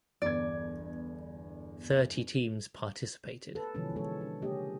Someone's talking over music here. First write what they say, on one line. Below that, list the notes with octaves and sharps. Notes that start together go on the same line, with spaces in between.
Thirty teams participated.
G1 E2 D5 G#6
A4 B4
B2 D3 E3 F3 G#3 C#4
E3 G#3 A4 C#5
D4
C#3 G#3 A#3 C#4 G4 D#5